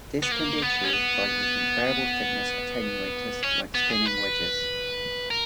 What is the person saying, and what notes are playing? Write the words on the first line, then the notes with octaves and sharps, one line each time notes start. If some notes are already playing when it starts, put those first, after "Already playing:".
This can be achieved by using variable thickness attenuators like spinning wedges.
B3
A#3
B3
C#4
B3
C#4
B3
G#4
B4
A#4